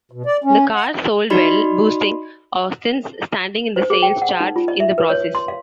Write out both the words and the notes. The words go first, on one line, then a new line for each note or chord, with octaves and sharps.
The car sold well, boosting Austin's standing in the sales charts in the process.
B2
D5
C#4
F#5
D#4 F#4 D5 B5 C6
C5
G#4
G5
F#5
D#4
F4
D#5
E5
B4
C#5
C6
F5